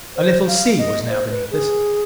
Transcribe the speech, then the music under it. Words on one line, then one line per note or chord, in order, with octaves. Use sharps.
A little sea was now beneath us.
C5
F5
D#5
C5
B4
G#4